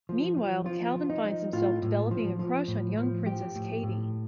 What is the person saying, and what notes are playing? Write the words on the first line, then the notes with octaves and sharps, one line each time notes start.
Meanwhile, Calvin finds himself developing a crush on young Princess Katey.
F3
F3
F3 F4
F3
D#4
F3
A2 F4
A2
F3
F3
A2
F3
F3 G4
A2
A2